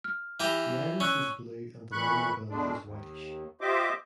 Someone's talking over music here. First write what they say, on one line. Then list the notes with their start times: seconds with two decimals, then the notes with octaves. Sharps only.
The iris is blue and the long bill is whitish.
0.04 F6
0.40 E3 G4 A#5
1.00 C#4 C#6 E6 F#6
1.92 F2 A#2 E3 B5 C#6 F#6
2.49 E2 B2 D3 G#3 D4
2.83 D#2
3.61 F4 G4 C5 D#5 E5 D6